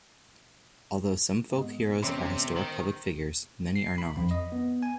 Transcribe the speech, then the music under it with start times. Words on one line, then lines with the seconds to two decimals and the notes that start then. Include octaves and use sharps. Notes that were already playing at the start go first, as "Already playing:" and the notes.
Although some folk heroes are historical public figures, many are not.
1.51 G#2 B2
2.03 E1 C3 C4 C#4 C6
2.56 D#3 C5
3.76 C7
3.98 B5
4.17 F2
4.31 D#5
4.52 B3
4.83 G#5